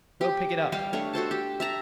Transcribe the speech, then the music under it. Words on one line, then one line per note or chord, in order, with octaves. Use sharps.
Go pick it up!
G4
G3 G4 F5
A3 D4 C#5
F#4 A4 C5 A5
G4
E5 A5 A#5